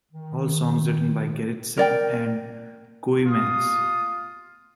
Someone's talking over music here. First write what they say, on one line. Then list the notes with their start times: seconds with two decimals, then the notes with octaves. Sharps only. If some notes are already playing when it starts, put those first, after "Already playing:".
All songs written by Gerritsen and Kooymans.
0.12 D#3
1.77 A#4 D5 G5
3.27 F4 D#6